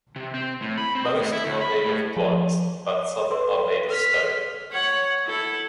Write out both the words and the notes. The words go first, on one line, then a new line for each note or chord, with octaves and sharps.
Most are made of bronze but some are made of stone.
C3
C4
A2
B5
C4
A2
E4
D2
B5
A2
F3
A4 B4 C6
F6 B6
C#5 F#5
E4 A4